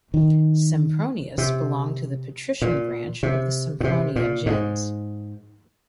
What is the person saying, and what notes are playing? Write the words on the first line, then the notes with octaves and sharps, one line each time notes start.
Sempronius belonged to the patrician branch of the Sempronia gens.
D#3
C3
A#2
C3
A#2
C3
A#2
G#2